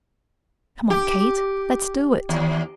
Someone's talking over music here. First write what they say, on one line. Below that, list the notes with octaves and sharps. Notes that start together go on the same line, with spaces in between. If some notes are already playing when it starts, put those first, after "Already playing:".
Come on, Kate, let's do it!
G4
D#2